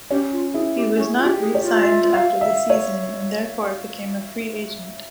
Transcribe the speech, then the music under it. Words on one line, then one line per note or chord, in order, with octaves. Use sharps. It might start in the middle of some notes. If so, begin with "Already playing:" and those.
He was not re-signed after the season and therefore became a free agent.
C#4 G4
F4
E4 G#4
G4
C#4 G#4
F4
G4
G#4
C#5
F4
E5
F5
E5
C#5